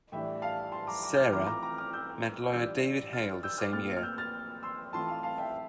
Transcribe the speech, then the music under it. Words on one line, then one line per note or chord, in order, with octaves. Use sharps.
Sarah met lawyer David Hale the same year.
A2 E3 G3 D4 E5 G5
F5 A5
A5 C6
A#5 D6
A#5 D6
G6
D6 F6
E3 A3 C4 F4 A#5 D6
A#5 D6
A#5 D6
D6 F6
E6 G6
E3 G3 D4 F4 E6 G6
F6 A6
E6 G6
D6 F6
A#2 A3 C4 F4 F6 A6
F6
E6 G6
F6 A6
C6 E6
E3 A3 C4 F4 A5 C6
F5 A5
F5 A5
E5 G5